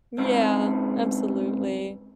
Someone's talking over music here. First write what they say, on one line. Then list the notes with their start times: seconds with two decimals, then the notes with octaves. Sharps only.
Yeah, absolutely.
0.18 C#2 G#2 C4